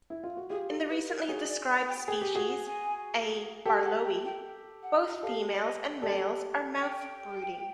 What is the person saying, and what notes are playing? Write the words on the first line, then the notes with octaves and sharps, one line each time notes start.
In the recently described species "A. barlowi" both females and males are mouthbrooding.
E4
F4
F#4
F4 G4 G#4
A4
B4
A#4
F#4 G#4 C#5
D5
D5
G5
G#4 G5
G4
F#4 G#4
F#5
G#5
G4 A4 G5
F#5
G5
G5
F#5
G4 A4 F5
D5
D#5
G4 A4 D5
G5